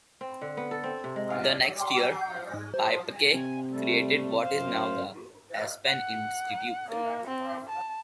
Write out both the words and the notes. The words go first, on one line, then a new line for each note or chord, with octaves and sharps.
The next year, Paepcke created what is now the Aspen Institute.
C4
D3
B3
A4
C4
C3
G#3
F5
D4
C6
G#5
G6
G#2
C5
C3 G#5
G3 A3
F#2 C5 F5
F#5
A#3
C4
A5